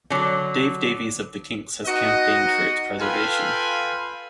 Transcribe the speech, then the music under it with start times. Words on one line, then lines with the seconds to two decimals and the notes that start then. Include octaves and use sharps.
Dave Davies of The Kinks has campaigned for its preservation.
0.10 D3 F#3
1.86 B3 D#4 F#4 D#5
2.99 F4 A4 B4 F5 G5 G#5